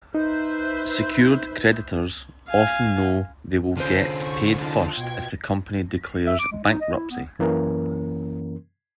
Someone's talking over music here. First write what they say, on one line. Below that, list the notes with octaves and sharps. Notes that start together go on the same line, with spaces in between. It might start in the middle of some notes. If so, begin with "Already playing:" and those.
Secured creditors often know they will get paid first if the company declares bankruptcy.
D#4 B4 C5 E5
F5 G#5
D3 C#4 F4 C5
C#6
D#4 F4 A5
B2 G5 G#6
E5
D6
G#3
D#4
D#5
E4
B3
F#2 E3 A#3 C#4 A#4